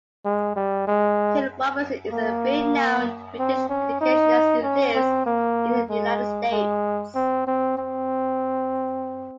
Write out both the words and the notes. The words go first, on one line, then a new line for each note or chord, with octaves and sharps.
Ken Robinson is a renowned British educationist who lives in the United States.
G#3
G3
G#3
A#3
C4
C#4
D#4
C#4
C4
A#3
G#3
G#3
C4
C4
C4